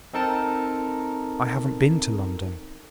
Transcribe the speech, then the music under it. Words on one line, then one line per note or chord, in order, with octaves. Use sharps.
'I haven't been to London.
C4 D#4 A4 A#4 A5